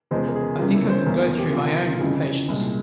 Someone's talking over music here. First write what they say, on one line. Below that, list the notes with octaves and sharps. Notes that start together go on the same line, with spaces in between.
I think I could go through my own with patience.
F1 E2 C#3 F3 G#3 C5
A#4
G#4
F1 E2 C#3 G3 A#3 F4
E4
C#5
C5
E1 E2 E3 A#3 A#4
G4
E2 C3 F3 A#3 F4
F4
G1 F2 C#3 E3 E4
C2 A#2 G#3